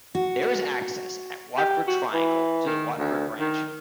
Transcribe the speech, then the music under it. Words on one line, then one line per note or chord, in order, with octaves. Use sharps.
There is access at Watford triangle to the Watford branch.
F#4
G4
F#4
E3
D#3
D2
D#3